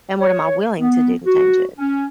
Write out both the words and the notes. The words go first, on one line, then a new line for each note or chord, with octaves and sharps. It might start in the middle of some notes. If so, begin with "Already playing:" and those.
and what am I willing to do to change it?
C#5
B3
F#4
C#4